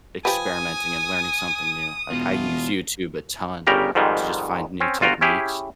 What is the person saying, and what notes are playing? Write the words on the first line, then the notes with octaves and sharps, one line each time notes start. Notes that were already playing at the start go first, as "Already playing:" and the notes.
experimenting and learning something new. Like, I use YouTube a ton to just find new techniques,
F3 G4 B4 G#5 D#6
E2 B2 F4
G1 C#3 G3 G4 A#4 A#5
F2 G#2 D#3 G3 G#3
C4 C#4
G1 F4 F#4 G5 A#5
C#4 E4 G4 G#4